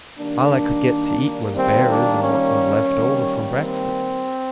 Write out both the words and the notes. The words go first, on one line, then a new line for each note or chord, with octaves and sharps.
All I could get to eat was berries and what was left over from breakfast.
D#3 G3 A#3 D4
D#3 G3 A#3 C4
D4
C#4
D#3 G3 A#3
C4